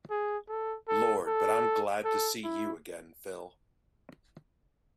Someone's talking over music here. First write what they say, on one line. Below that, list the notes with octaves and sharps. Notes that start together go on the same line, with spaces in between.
Lord, but I'm glad to see you again, Phil.
G#4
A4
A4
A4
A4
E4